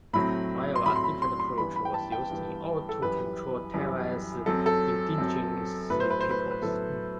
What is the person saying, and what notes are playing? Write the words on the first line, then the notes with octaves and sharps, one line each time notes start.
However, a different approach was used in order to control Taiwan's indigenous peoples.
A2 F#3 A3 C4 B5
C6
A2 F#3 A3 C4 B5
C6
B5
C6
C6
G2 E3 B3 B5
B5
G5
A5
G5
G2 E3 B3
A4
F#2 E3 G3 B4
F#2 E3 G3
F#2 F#3 C4 A4
A4
F#2 F#3 C4
A2 F#3 B3 B4
C5
B4
C5
B4
C5
B4
A2 F#3 B3 A4